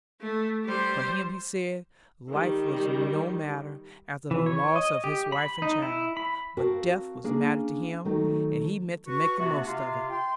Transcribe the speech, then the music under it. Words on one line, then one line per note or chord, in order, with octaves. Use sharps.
For him, he said, life was no matter, after the loss of his wife and child; but death was matter to him, and he meant to make the most of it.
A3
G3 C5
D#3 G3
E3
C#5
D#5
G4
B5
D#4
E4
B5
C4 F#4 A#4 F5 A5
A#3 C#4 D4 G#4
D#3 F#3 A3 D#4
F#4 B4 C#6
C3 A3 B3 D4 F#4
C3 F4
G5 C6